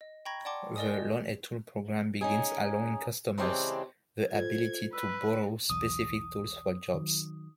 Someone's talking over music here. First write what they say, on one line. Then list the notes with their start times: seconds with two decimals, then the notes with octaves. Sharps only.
The Loan-A-Tool program begins allowing customers the ability to borrow specific tools for jobs.
0.01 D#5
0.25 G5 A#5 B5 C#6 G#6 A#6
0.45 D5 F#5 G5 A5 C6 D6
0.76 A#4 D5 D#5 G#5 D#6
0.94 D#5
2.21 C#4 D#4 G#4
3.38 C#3 E3 G#3 C4 D4 G4
4.32 F4 A4 C5 G#6
4.93 B4 E6
5.70 B1 E2 D#6
6.94 D#3 F#3